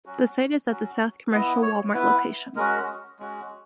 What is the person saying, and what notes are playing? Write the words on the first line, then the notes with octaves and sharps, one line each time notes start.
The site is at the South Commercial Wal-Mart location.
F#3 C#4 F#4
F#3 C#4 F#4
B3 E4 D#5
C#5
B3 E4 B4
G#3 C#4 F#4 A#4
G#3 C#4 F#4